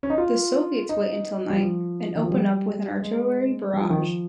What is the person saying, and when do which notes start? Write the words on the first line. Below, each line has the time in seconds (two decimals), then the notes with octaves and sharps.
The Soviets wait until night, and open up with an artillery barrage.
0.03 C#4
0.10 D#4
0.18 F4
0.89 D#4
1.50 G3
1.61 F3
2.15 D#3
2.24 F3
2.31 G3
3.02 G#3
3.74 G3
3.81 F3
3.90 D#3
3.98 F3